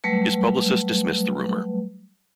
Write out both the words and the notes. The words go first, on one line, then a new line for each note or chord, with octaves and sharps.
His publicist dismissed the rumor.
F#3 G3 A3 B4